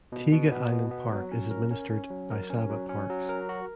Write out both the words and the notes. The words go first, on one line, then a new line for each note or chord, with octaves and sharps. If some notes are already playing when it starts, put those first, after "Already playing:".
Tiga Island Park is administered by Sabah Parks.
B2
B2
B3
B2
B3
F#3
C#4
A#4
C#4
C#4
F#3
A#4
C#4
F#3
C#4
F#3
A#4
F#4